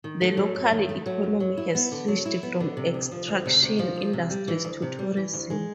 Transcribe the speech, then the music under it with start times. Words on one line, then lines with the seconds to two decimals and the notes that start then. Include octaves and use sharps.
The local economy has switched from extraction industries to tourism.
0.04 D#3
0.21 A3
0.37 F#3
0.55 F#2
0.72 D#3
0.89 A3
1.06 F#3
1.23 F#2
1.40 F#3
1.57 E4
1.75 B3
1.92 D3
2.08 F#3
2.25 E4
2.43 B3
2.60 D3
2.77 C3
2.94 D2
3.11 F3
3.28 D2
3.46 C3
3.63 D2
3.79 F3
3.96 D2
4.13 C3
4.30 G3
4.48 E3
4.64 D2
4.82 C3
4.99 G3
5.17 E3
5.33 D2
5.50 G#3